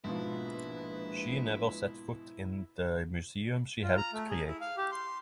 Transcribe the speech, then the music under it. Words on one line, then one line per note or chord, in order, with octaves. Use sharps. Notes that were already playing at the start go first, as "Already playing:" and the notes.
She never set foot in the museum she helped create.
A#1 G#2 B2 F3 E4 B4
F4
A#5
A3
G#4
E4
F5
G4
C6